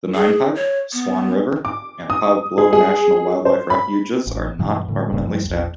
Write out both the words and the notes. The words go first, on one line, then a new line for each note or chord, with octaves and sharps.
The Ninepipe, Swan River, and Pablo National Wildlife Refuges are not permanently staffed.
G#4
C#5
B3
D6
D#6
G#4
G#4
C5
B5
A1
G2 B2 E3 F#3
A2 D3
E1 G#2 C#3 A#3
G2 F3 G3
A#1 E2